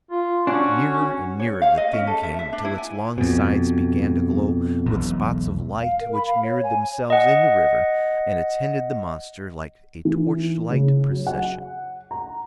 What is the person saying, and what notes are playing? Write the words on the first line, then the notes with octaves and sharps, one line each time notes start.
Nearer and nearer the thing came, till its long sides began to glow with spots of light which mirrored themselves in the river and attended the monster like a torchlight procession.
F4
C#4 D4 F#4
C#5
F5
D#5
C#4
A4
E5
E5
D4
E4
G#5
F2 B2
E1 B1
F5
A#4
B5
F5
C#5
G#5
D#5 F#5
E3
C#3
F#3
F#5
A#5